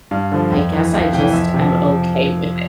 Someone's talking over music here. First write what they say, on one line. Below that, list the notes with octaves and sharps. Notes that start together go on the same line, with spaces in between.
I guess I just am okay with
G2 F5
D3 F3
F2
E3
F2 E5
F5
C3 E3 G5
G5
F2 E5
C3 F3